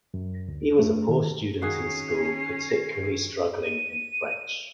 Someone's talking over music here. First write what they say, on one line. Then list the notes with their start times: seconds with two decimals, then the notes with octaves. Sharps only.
He was a poor student in school, particularly struggling in French.
0.14 F#2
0.48 D2
0.79 A3
1.09 D#3
1.62 D#3 C#4 F#4 G#4 C#5 C7
3.62 D#7